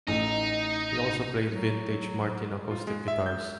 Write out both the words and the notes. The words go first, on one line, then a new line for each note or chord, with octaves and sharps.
He also played vintage Martin acoustic guitars.
A1 D#4
F#3
F4
G#3
E5
G6